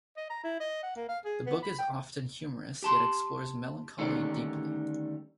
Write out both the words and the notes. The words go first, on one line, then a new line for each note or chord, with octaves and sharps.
The book is often humorous yet explores melancholy deeply.
D#5
A#5
E4
D#5
F#5
A#3
F5
G#4
B3
B5
G5
G4 A5 C6
D3 D#3 G3 A3 C#4 D#4